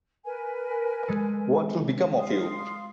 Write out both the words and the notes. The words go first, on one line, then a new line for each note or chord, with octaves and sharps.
What will become of you?
A#4 B4 G#5
G#3 A4
F5 C6 D#6